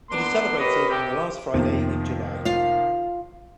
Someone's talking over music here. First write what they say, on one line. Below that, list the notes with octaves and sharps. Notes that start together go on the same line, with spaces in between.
It is celebrated on the last Friday in July.
A#3 B3 D4 C6
G4 A#4 B4 C#5 D#5
C3 G4
F2 C3 D#3 F3 A#3 B3
F4 F5